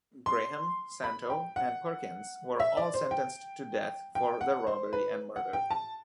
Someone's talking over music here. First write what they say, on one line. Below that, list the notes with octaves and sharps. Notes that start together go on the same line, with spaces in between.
Graham, Santo, and Perkins were all sentenced to death for the robbery and murder.
C6
B5
G5
F#5
E5
D5
C5
G5
G5
F#5
C5
B4
F#5
G5
A5